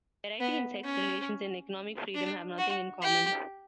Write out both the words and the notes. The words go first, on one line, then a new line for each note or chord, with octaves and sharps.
Variety in sex relations and economic freedom have nothing in common.
B3
C#4
D4
F#4
G4